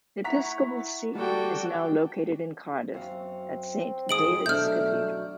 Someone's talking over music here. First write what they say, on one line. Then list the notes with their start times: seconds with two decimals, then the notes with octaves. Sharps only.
The Episcopal Seat is now located in Cardiff, at Saint David's Cathedral.
0.24 E4 E5 F#5 A#5 C#6 B6
1.15 G3 F#4 A4 D5 G5
2.94 F#2 C4 F#4 F5
4.09 G#2 E3 D#6 D7 F#7
4.46 B2 F#3 A3 D4 F6 G6